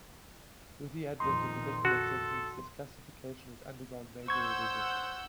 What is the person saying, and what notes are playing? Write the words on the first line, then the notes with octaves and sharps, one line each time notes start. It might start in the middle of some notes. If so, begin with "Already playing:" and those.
With the advent of molecular techniques this classification has undergone major revision.
F2 A#2 D#3 D#4 C6
F#4 A4
C5 F#5 C#6 E6 G6 G#6